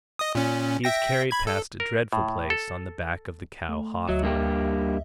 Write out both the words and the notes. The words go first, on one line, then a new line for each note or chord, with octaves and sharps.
He is carried past a dreadful place on the back of the cow Hathor.
D#5 D#6
A#2 C#4
E5 G5 A#6
B5 G#6
A4
A#4
A2
A4
A3
D2 F#3 D#5 E5
G2 A#3 G4